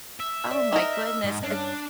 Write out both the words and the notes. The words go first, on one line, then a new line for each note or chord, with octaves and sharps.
oh my goodness, i
E5
D5
D#4 A#4
G#2
G2 C#4 D4